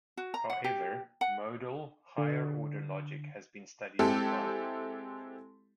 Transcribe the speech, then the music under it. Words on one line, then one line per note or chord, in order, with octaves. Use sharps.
However, modal higher-order logic has been studied as well.
F#4
A#5
F#5
G4
F#5
D3
G#3 C4 E4 G4 A4